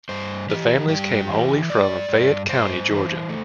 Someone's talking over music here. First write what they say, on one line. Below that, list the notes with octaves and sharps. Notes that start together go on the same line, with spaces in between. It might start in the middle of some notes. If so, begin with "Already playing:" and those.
The families came wholly from Fayette County, Georgia.
G2 C5
E3 G4
G2 G4
E3
G2 D5
G2
G2 C5
E3
A3